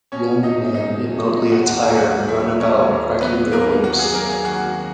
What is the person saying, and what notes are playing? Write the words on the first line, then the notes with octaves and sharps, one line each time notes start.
Young men in motley attire run about cracking their whips.
B2 C#4 C#5
E2 D#4 D#5
F#3 D#4 D#5
E2
C#3 D#4 D#5
F#4 F#5
D#2 F#4 F#5
G#4 G#5
F#3 F#4 F#5
D#2 E4 E5
C#3 C#4 C#5
D#2
F#3 B3 B4
D#2 A#3 A#4
F#2 F#4
G#4
F#3 A#3 A#4
G#4
D#3 F#4